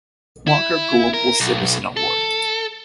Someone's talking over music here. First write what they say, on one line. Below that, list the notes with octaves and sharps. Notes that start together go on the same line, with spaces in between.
Walker Global Citizen Award.
E4
A#4
B1
A4